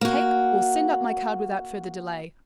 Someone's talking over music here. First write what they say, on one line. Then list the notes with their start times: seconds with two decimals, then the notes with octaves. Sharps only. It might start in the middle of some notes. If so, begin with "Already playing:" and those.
Take or send up my card without further delay.
0.01 A#3 F#4